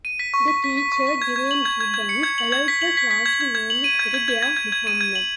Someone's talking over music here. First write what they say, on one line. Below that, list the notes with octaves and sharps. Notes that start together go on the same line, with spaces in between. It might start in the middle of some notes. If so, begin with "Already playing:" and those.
The teacher, Gillian Gibbons, allowed her class to name a teddy bear Muhammad.
D#7
B6
C#6
B6
B6
B6
C#6
B6
G#6
G#6
F#7
G#6
G#6
G#6
C#7
G#6
F#7
G#6
B6
F#7
B6
B6
G#6
G#6
G#6
F#7
D#7
G#6
G#6
G#6
G#6
G#6
G#6
D#7
G#6
F#7